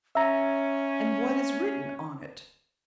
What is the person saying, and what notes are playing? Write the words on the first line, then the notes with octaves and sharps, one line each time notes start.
"And what is written on it?"
C#4 E5 A#5